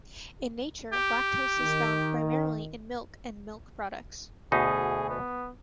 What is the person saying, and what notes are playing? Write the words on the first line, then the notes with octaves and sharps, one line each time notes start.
In nature, lactose is found primarily in milk and milk products.
G4
D#3
D2 B2 D#4 G#4
B3